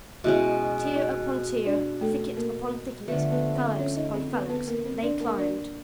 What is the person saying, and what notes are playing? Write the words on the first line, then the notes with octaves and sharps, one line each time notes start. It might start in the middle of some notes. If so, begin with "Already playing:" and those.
Tier upon tier, thicket upon thicket, phalanx upon phalanx they climbed.
B2 G#3 C#4 E4 E5
D#4 D#5
D4 D5
A3 A4
A#3 A#4
D3 F3 A3 B3 B4
B3 B4
C4 C5
C#4 C#5
D#4 D#5
C4 C5
B3 B4
B3 B4
A#3 A#4
C4 C5
D4 D5
A#3 A#4
D4 D5